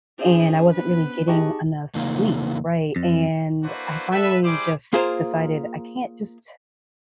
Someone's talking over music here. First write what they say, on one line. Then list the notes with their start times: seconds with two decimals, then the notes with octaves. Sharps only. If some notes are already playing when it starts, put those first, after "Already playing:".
and I wasn't really getting enough sleep, right? And I finally just decided I can't just
0.19 C#4 D4 G#4 C5
0.73 B3 B4
1.28 D#4 G4 G#4 A5 C#6
1.95 E2 C#3 A#3 D#4 F4
2.96 F2
3.63 A#3 D4 E4 F#4 B4 C5
4.11 A4 B4 E5
4.44 G3 E4 G#4 C5 D6
4.93 A#3 F4 G#4 A#4 C5 F5